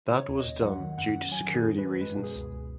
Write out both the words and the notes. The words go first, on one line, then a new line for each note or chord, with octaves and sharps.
That was done due to security reasons.
C#3
C#5
D#2
D#5
D#2
F#3 F#5
D#3
F#2 F#5
F#2
F#3 G#5
D#3 G#4
F#2
B4
F#2
G#3 B4
B2 G#4
C#2
C#2